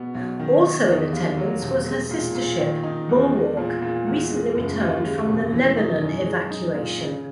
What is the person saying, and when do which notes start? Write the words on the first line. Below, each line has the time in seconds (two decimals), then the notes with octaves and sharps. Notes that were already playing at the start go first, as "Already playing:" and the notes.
Also in attendance was her sister ship, "Bulwark", recently returned from the Lebanon evacuation.
Already playing: B2 B3
0.15 B1
0.40 D#3
0.64 D#4
0.88 E2
1.13 D#2
1.37 F#3
1.62 E1
1.86 G#3
2.11 A#2
2.35 A#2
2.59 D#3
2.83 D#4
3.09 E2
3.32 G#3
3.57 A#2
3.82 A#2
4.07 E2
4.30 G#3
4.55 F#1
4.80 D#2
5.04 G#3
5.28 E1
5.53 E3
5.77 D#4
6.01 F#2
6.26 G#3
6.51 D#4
6.75 A#2
7.00 C#3